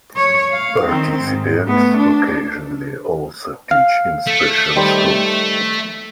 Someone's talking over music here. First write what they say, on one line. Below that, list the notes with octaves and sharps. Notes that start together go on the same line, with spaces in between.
Participants occasionally also teach in special schools.
C#5
F5
D#3 C4
G#2
A3 B3
D4
F5
A3
D#3 G3 C5